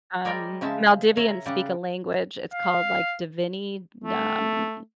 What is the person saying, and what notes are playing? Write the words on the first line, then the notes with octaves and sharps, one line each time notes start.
Um, Maldivians speak a language, it's called, like, Dhivehi, d um
G3 G#3 A#4 C#5 D5 G5
C#3 F3 G#3 C#4 E5 A5
A#4 C#5 E5
C#3 G3 D5 F#5
F5
A3